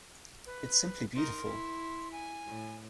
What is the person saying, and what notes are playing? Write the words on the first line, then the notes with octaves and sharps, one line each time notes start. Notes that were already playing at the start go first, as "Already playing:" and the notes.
It’s simply beautiful.
B4
D#4 A#4 C6
E4
G#5
A2